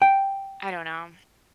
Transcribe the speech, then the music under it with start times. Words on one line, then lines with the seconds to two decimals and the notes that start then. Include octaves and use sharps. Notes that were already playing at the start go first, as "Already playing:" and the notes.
I don't know,
0.02 G5